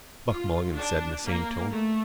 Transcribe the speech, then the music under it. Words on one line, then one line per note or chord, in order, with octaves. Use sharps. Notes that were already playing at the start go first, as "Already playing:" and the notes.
Buck Mulligan said in the same tone.
F4
D4
A#3
A3